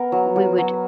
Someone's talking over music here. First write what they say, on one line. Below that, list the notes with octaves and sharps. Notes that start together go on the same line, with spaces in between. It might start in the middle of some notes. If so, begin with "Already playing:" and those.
we would
Already playing: B3 A#4
F#3
F#3
F#3